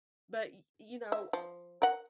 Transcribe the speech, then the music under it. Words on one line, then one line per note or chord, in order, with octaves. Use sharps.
But y you know,
E5
F3
A#4 F#5